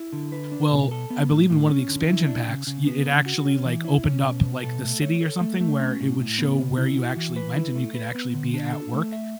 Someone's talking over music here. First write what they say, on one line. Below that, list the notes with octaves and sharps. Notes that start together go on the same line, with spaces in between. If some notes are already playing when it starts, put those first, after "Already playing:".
Well, I believe in one of the expansion packs, yeah, it actually, like, opened up, like, the city or something where it would show where you actually went and you could actually be at work.
Already playing: E4
D3
B4
D4
B2
A4
B3
A2
A2
C#4
D3
E4
D4
C#3
C#3
B3
C#3
F#4
C#4
E3
E4
C#4
B2
B2
A4
A3
C#5
A4
A3
A3
C#4
A2
A2
B3
C#3
E4
F#4
E3
B4
E4
A3
B4
B3
D3
D4
A4
A3
E5